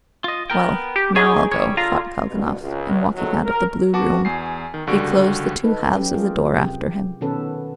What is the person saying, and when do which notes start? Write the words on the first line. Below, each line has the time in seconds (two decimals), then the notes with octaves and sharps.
"Well, now I'll go," thought Kalganov, and walking out of the blue room, he closed the two halves of the door after him.
0.24 F4 D#5
0.50 B3 A#4 G5
0.96 G4
1.16 D#4 G#4 C#5
1.52 B1 G3 C#5
1.77 D3 F4 A#5
2.27 C2 G2 B2
2.61 C#2
3.16 A#1 D#3 F#3 B3 A4
3.45 A#4
3.93 B3 F#4 A5 D6
4.25 E2 G#5 C7
4.74 D#3
4.87 C#2 D3 G3 F#4 C#6 D7
5.64 D#4 A4 B4
5.96 F#3 C#4 G4
6.14 F4 G#4 A#4
6.55 C3 G4
7.21 B2 D#3 B3 C#4 A4 B4